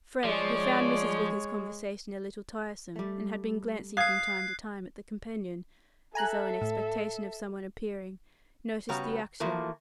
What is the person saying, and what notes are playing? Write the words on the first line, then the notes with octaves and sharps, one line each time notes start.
Frere, who found Mrs. Vickers's conversation a little tiresome, and had been glancing from time to time at the companion, as though in expectation of someone appearing, noticed the action.
F3 G#3 C#5 D5
G3 A3
F5 D#6 F#6 G#6 C7
A4 E5 G#5 A#5 F#6
A2
C#3 G3 B3 F#4 C#5 A#5
E3 F3 A3 A#3 F#4